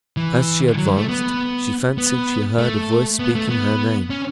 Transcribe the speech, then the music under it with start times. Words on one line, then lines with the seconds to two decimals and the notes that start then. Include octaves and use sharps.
As she advanced she fancied she heard a voice speaking her name.
0.17 E3
0.77 F#3
0.87 G3
0.98 A3
1.08 B3
1.98 B3
2.59 A3
3.19 B3
3.35 A3
3.50 B3
4.10 C#4